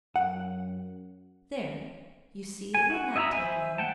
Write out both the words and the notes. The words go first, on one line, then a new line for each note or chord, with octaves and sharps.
"There, you see it will not take long."
F#2 F#5
G#5
F#4
D#5 E5 G#5 A#5 B5
C5 E5 G#5
F#5 G5 A5